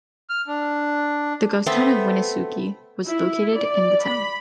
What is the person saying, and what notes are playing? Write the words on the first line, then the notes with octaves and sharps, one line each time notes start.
The ghost town of Winooski was located in the town.
F6
D4
A3 B3 C4
E4
D5
B5